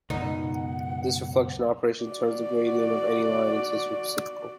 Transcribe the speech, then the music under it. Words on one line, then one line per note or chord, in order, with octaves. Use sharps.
This reflection operation turns the gradient of any line into its reciprocal.
C#2 F#2 B2 D#4 F#5
F#4 D5